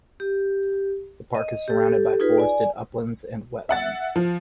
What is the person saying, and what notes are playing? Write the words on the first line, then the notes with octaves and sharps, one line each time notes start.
The park is surrounded by forested uplands and wetlands.
G4
D#5
G4 A4
D#4 F4 G#4 B4
D5 G#5
E5 F#5 A6
F3